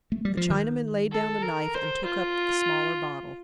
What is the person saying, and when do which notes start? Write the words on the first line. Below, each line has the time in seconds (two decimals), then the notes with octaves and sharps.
The Chinaman laid down the knife and took up the smaller bottle.
0.12 A3
0.25 G3
0.37 F3
0.50 D#3
1.12 A4
1.42 A#4
1.74 C5
2.05 F4